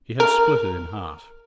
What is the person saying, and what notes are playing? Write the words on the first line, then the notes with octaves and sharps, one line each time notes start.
He had split it in half.
A#4